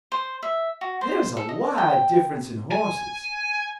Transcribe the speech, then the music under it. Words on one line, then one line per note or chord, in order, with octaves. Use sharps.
There is a wide difference in horses.
C5
E5
F#4
C5
A4
D#5
G5
G#5